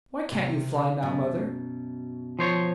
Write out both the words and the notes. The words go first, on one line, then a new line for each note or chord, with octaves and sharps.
"Why can't you fly now, mother?"
C3
F#2 B2
F3 C5 C#5